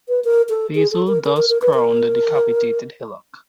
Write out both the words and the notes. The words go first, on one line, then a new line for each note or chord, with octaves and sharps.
Basil thus crowned the decapitated hillock.
B4
A#4
A4
G#4
A4
A#4
A#4
A#4
A#4
B4
A#4